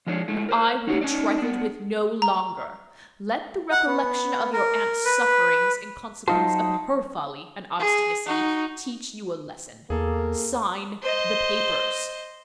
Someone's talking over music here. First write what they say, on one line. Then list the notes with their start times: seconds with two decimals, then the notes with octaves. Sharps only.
But I will be trifled with no longer: let the recollection of your aunt's sufferings, in consequence of her folly and obstinacy, teach you a lesson.--Sign the papers.'
0.07 F3 G#3 D4 C#5
0.28 G#3 A3 E4
0.49 A#4 C5
0.87 C#4 D#4 F#4 G4 C#5
1.01 C#4 D#4 D5
1.38 B3 D4
2.22 A#5
3.72 F#5
3.87 B3
4.53 A#4
5.05 B4
6.28 F#3 D#4 F4 C5 A5
7.79 G#4
8.26 D#4 F#4
9.90 E2 A#3 G#4 A4
11.02 C5 D#5